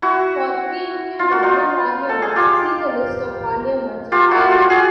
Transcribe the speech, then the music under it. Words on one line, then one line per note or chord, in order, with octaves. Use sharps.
For pre-Union Dublin parliaments, see the list of Parliaments of Ireland.
E4 F#4
F4
F#4
D#4 F4
A4
G#4
F4 G4
F4 G4
E4 F#4
F4 G4
F#4 G#4